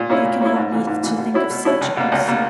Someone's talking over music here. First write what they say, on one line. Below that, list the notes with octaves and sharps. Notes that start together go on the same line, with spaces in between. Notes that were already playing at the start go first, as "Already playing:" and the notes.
You can help me to think of subjects.'
Already playing: A#2
A#3 C#4 E4
A#2
A#3 C#4 E4
G#2
E3 A#3
G#2
E3 A#3
B2
F#3 C#4 E4
B2
F#3 C#4 E4
C#2
B2 A#3
C#2
B2 A#3